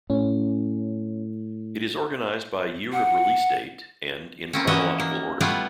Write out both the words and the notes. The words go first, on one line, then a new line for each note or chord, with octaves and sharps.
It is organized by "year of release date" and in "chronological order".
A2 C#4
F#5
A#3 C4 C#4
E3 F3 C#4 F#4 D#5 E5
A#3
G3 A3 B3 E4 F4 B4